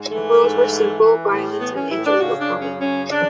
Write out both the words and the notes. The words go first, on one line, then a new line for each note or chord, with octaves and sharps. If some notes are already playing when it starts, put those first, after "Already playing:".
Rules were simple, violence and injury were common.
Already playing: G#2
E3 A3
G#2
E3
E3
A2
E3 B3
C#4
A2 E4
D4
C#3 F#4
D4
F#2
C#4
C#3 C#4
C#3 D4